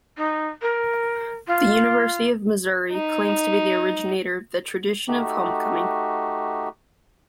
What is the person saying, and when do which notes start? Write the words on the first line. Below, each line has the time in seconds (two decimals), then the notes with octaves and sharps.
The University of Missouri claims to be the originator of the tradition of homecoming.
0.18 D#4
0.62 A#4
1.47 F4
2.92 D#4
5.08 A3 D#4 F#4 G4